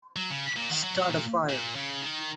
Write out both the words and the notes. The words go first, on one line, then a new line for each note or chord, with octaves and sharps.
Start a Fire.
F#3
C#3
A#2
D#3
F#3
F#3
A#2
A#2
C#3
D#3